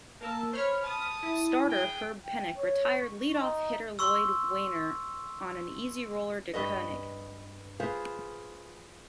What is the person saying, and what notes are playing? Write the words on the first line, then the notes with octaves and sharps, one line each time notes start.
Starter Herb Pennock retired leadoff hitter Lloyd Waner on an easy roller to Koenig.
A#3 A#4 A5 E6
C5 C#5 B5 C#6 F6
A5 D#6
E4
G#4 G5
G5
C#5
C#6
D#4
C6 C#6 E6
G2 B4 D#5
F4 G#4 B4 C5